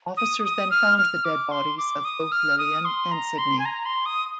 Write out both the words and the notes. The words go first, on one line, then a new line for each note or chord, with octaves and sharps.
Officers then found the dead bodies of both Lillian and Sydney.
D#6
D#6
F6
F6
D6
C6
D6
D#6
F6
D#6
C6
A#5
C6
G#5
A#5
C6
D#6